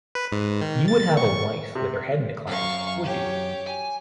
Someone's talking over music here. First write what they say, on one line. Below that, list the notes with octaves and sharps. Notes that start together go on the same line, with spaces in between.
You would have a wife with her head in the clouds, would you?
B4
G#2
D#3
A6
C#6
C3
F#2 F5 C#6
G4 C#5
G#5